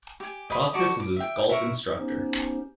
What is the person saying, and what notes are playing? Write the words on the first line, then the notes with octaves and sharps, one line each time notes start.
Kostis is a golf instructor.
G4 G#5
D#5 B5
F#4 A4 D5 D6
D6
E5 G5
E4 A#4 E5 C#6
B3 C#4 D#4 G4 C5